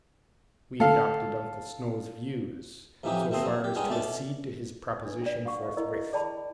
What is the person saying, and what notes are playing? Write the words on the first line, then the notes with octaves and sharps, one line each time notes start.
'We adopted Uncle Snow's views so far as to accede to his proposition forthwith.
D3 A3 A4 F5
A1 F2 E3 F#3 D#4 G4
D#2 A3 C4 D#5 C6
F#3
G4
G2 G3 G#3 C#4 D#4 F#4
B2 A3 C#4 D5 D6
D4 B4
D5 G5
F5 F#5 C#6
D#5 E5
E4 A#4 D#5
G#4 D5 G5 A5 B5